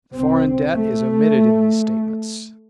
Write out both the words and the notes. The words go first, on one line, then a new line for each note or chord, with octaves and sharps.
The foreign debt is omitted in these statements.
C2 C3 C4
A3